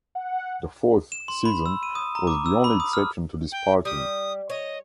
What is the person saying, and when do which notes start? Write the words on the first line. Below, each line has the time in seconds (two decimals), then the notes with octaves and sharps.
The fourth season was the only exception to this pattern.
0.15 F#5
1.12 E7
1.28 C6
1.45 B5
1.66 E6
1.83 D#7
1.95 D#6
2.15 A#5
2.27 D6
2.46 E6
2.64 B5
2.80 D#6
2.93 F6
3.52 G5
3.85 G3 D#6
4.50 C#5 D#5